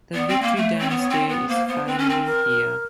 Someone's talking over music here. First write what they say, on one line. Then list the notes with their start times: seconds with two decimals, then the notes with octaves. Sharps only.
The Victory Dance day is finally here.
0.14 B3 D5
0.28 C4
0.43 A#3
0.57 A3
0.72 C#5
0.81 C4
0.90 B3
1.00 C#5
1.10 C4
1.28 B3 B4
1.48 A#3 C5
1.67 B3 C5
1.86 C4 B4
1.98 C#4
2.06 C4 A#4
2.25 A#4